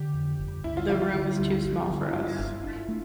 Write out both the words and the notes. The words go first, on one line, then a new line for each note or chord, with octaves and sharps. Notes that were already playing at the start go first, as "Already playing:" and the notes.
The room is too small for us.
Already playing: D3 G4
F2
G1
D2 E4
F4
F3 F4
F4
D3
D2
G1
D3
E4
G2 F4
G1
D4
A3